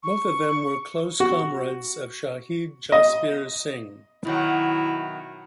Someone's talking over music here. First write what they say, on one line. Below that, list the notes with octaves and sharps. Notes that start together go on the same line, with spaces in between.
Both of them were close comrades of Shaheed Jasbir Singh.
C#6
F#4
D#5
B2 D#3 F#3 E4